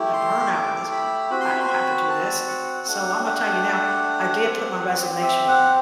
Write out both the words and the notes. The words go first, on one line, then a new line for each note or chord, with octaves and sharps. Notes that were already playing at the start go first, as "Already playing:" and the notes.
Gonna burn out with this one I don't have to do this. So, Imma tell you now, I did put my resignation in.
Already playing: A3 E4 G4
C6
D6
B5
C4 F#4 B5
C6
B5
C6
B5
A5
F#5
A3 D4 G4 F#5
F#5
C4 G4
E5
F#5